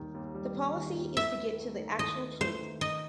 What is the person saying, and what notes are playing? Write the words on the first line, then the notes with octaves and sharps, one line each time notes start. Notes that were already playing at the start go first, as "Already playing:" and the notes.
The policy is to get to the actual truth.
Already playing: D#2 D#3 G3
D#2
G3
D#2
D#3
D#2
E4 E5
B4
A3
D#3
E4 D#5
B4
A3 C5
D#3
D#4 D#5